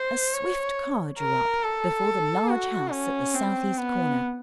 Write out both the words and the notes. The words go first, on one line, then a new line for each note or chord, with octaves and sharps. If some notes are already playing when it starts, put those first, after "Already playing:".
A swift car drew up before the large house at the southeast corner.
Already playing: C5
C#5
A#4
A4
F#4
C#4
C4
B3